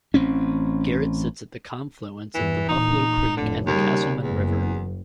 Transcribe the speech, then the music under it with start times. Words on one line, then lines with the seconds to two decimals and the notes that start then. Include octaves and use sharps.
Garrett sits at the confluence of the Buffalo Creek and the Casselman River.
0.14 A1 C4 C#4
2.34 E2 G2 E3
2.68 A#2 D#4
3.37 F1 A2 D3
3.67 D#2 C#3 G3
4.23 F#1 E2